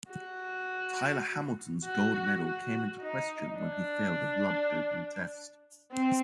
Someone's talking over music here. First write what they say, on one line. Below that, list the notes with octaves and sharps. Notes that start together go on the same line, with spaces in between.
Tyler Hamilton's gold medal came into question when he failed a blood doping test.
F#4
F#4
F#4
D#4
D4
C4